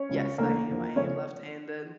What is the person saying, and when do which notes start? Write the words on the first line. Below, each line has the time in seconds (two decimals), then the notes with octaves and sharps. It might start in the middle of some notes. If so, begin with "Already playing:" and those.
Yes, I am, I am left-handed,
Already playing: C#4 C#5
0.09 C#2 C#3 G3
0.38 D2 C#3 E3 A3 A#3 A#4
0.67 E2 D3 F3
0.96 C#3 F3 A3 C#4 C#5